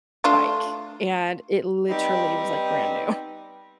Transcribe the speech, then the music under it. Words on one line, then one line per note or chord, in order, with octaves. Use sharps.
bike and it literally was like brand new.
A3 D4 F4
G3 B3 C4 D#4 D5